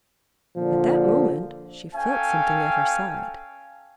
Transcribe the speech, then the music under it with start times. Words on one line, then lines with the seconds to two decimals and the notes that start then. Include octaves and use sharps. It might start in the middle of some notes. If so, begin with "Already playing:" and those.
At that moment she felt something at her side.
0.57 A#2 D3 F3
1.95 C#4 A4 F5 G5 G#5